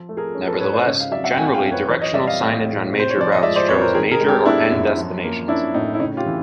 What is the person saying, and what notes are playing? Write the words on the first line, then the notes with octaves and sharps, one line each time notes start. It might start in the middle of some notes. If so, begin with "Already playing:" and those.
Nevertheless, generally directional signage on major routes shows major or end destinations.
Already playing: F3
A3
G#4 A#4
C#4
A4 B4
G#2 B4 C#5
C5 D5
C#3 C#5 D#5
F5
F#3 D5 E5
E5 F#5
G5
A3 F#5 G#5
F#5
F5 G5
F#2
B4 C#5
E3 B4 C#5
C#5 D#5
G3 D5 E5
D#5 F5
A2
A2
C3
C5
C#5
F3 D5
D#5
G#3 D5 E5
C5 D5
F2 B4 C#5
A#4 C5
D#3 G#4 A#4
G#4 A#4
G#3
G4 A4
B3 D4 E4
F#2
F3
A#3
C#4 D4 E4
A2 D#4
E4
C#3 D#4
F4 G4
E3